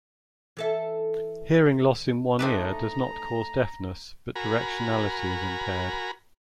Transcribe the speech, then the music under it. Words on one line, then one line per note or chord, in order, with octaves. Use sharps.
Hearing loss in one ear does not cause deafness but directionality is impaired.
E3 A4 E5
A3 C4 D4 D#4 B4 A#5
F#4 A#4 G#5 A#5 B5